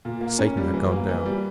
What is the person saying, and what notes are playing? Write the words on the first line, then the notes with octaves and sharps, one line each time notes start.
Satan had gone down.
A#2
A#3
C#4
G3
E3
A#3
E3
G3